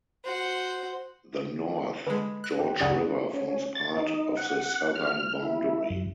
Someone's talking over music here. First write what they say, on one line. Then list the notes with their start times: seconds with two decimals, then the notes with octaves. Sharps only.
The North George River forms part of the southern boundary.
0.24 F#4 C5
2.06 D3 G#3 B4
2.44 F#6
2.59 G4
2.80 C#2 F#2 C#3 D5 F#5 D#6
3.33 C#4
3.75 A6
3.98 D#4
4.37 F#5
4.96 F6
5.43 E4
5.90 F#2